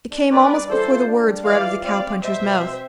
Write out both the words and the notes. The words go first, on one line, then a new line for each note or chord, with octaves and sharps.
It came almost before the words were out of the cowpuncher's mouth.
D4
D4 B4 D5
G3
E3 A4 C5
F4
D4
G3
E3 D5 F5
F4
C4 D5 F5
G3
B2 C5 E5
B2
C4